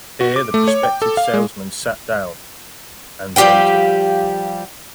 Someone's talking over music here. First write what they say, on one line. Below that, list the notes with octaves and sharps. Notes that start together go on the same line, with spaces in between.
Here the prospective salesmen sat down — and waited.
F#4
D6
A3
C#5
G5
A4
F5
G#3
F3 G3 G4 F5 G5